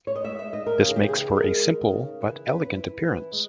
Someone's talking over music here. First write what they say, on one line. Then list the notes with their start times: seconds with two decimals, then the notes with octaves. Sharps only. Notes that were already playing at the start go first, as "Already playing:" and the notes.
This makes for a simple but elegant appearance.
0.07 C#5
0.16 D#5
0.25 G#3 E5
0.39 E5
0.53 D#4 D#5
0.66 A#4
0.80 C#3 G4
0.88 G#4
0.96 G4
1.09 E3 G#4
1.36 G#3 A#4
1.65 D#4
1.92 C#3
2.21 E3
2.48 C#4 B4
2.76 E4
3.04 E3
3.32 G#3